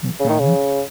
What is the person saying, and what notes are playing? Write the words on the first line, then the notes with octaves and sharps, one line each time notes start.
No problem.
C#3
D#3
C#3